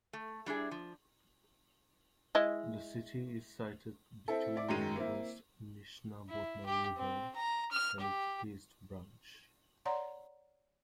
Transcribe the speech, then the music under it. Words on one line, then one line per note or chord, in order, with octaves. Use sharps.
The city is sited between the West Nishnabotna River and its East Branch.
A3
G3 D4 E4 G#4
F3
G#3 E4 D#5
C4 E4 A4
E4 D5
F#2 D#3 G#3 D#7
A#3 C4 E4
E4
G4
C4
A#5
F6
G4
C#5 D5 F#5 A#5 C6